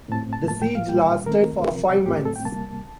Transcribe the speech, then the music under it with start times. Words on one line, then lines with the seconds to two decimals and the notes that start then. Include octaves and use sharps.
The siege lasted for five months.
0.09 A2 A3 C4 A5
0.33 A5
0.48 A2 F3 A#3 A5
0.62 G5
0.75 F5
0.87 A#2 G3 A#3 G5
1.26 D#3 A3 C4 A#4
1.66 C3 F3 C4
2.05 A2 A3 C4 G4
2.16 G4
2.25 A4
2.36 G5
2.45 C3 G3 A#3 A5